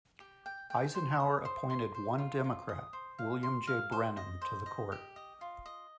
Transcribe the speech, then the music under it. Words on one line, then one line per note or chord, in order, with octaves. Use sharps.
Eisenhower appointed one Democrat, William J. Brennan, to the Court.
G4
G5
G5
C5
D#6
C5
C6
C5
F4
F4
D#6
C5
F5
C6
F5
C5
D#5
C5
D#5
G4
D#5
F4
D#5